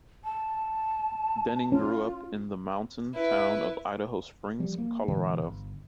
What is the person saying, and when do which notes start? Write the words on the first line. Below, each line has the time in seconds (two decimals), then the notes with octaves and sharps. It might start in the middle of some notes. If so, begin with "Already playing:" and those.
Denning grew up in the mountain town of Idaho Springs, Colorado.
0.24 A5
1.72 C#4 F4
3.14 E4 B4
4.60 F3 G3
4.78 A#3
5.08 A#2 D3 E3 G#3
5.42 G1